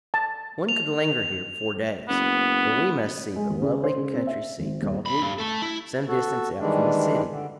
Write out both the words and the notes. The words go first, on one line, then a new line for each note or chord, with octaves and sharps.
One could linger here for days, but we must see the lovely country-seat called "Wootton," some distance out from the city.
A5
F7
F#1 B3
G#3
D#2
C#3
C5
C#3
C4
E5
G#1
D#1
B1 B5
G2
A3 A4
E4
F#4 A4
D#3 E3 G3 G#3 D4
D3